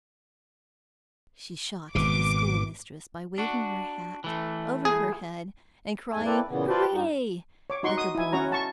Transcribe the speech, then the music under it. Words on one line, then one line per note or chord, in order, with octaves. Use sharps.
She shocked the schoolmistress by waving her hat over her head and crying 'Hooray,' like a boy.
G#1 B2 D6
D4 F#4
E3 A3
G#4
E2 G#2 G#3 A3 G#5
A#3 C4 E4 A4 B4 D5
A#2 C#3 E3 B3
F4 G4 A4 B4 C5 D5
G2 G3 D#4
C#5 D6
D#4 F#4 C6 C#6
D#6
E4 G#5
C#4 F#4 C#5 A#5
A5 C#6